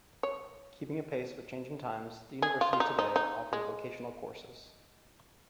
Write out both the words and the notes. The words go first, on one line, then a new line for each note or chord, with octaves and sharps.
Keeping apace with changing times, the University today offers vocational courses.
C#5
G#4
F4
F4
D#4
D#4
D#4
G#3